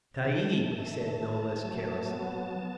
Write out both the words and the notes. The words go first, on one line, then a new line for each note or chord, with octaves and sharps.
"Tayeeb," he said, no less carelessly.
D#3 A5
A3
A3
F#3
B3
B3